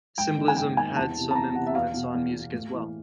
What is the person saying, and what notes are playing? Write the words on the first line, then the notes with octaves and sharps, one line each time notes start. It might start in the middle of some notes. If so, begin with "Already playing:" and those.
Symbolism had some influence on music as well.
G#2 G5
D#3
G#5
G#2 G5
D#3 G#5
E2 A5
C3 E3
A5
E2 A#5
C3 E3 F#5
E5
E2 F5
B2
E2
B2
A2
E3